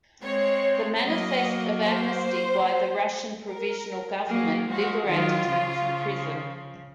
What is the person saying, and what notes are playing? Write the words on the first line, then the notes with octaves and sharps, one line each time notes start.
The manifest of amnesty by the Russian Provisional Government liberated him from prison.
G#3 C4 C#5
F#3 A#3 D#5
C5
A#4
F#3 A#3 G#4
F3 G#3 F#4
D#3 F#3 F4
C#3 F3